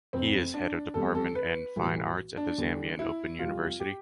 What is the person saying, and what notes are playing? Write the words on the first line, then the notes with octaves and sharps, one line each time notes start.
He is Head of Department in Fine Arts at the Zambian Open University.
F1 F2 C3 C4
D4
F1 E2 C3 G3 A4
A4
B4
B1 A2 E3 G3
D4
E2 D3 G3
E4
F2 C3 G3 F4
G4